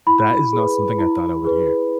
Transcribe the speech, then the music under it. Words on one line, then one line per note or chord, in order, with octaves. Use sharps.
That is not something I thought I would hear.
E4 B5
G#4 B4
E4
G#4 B4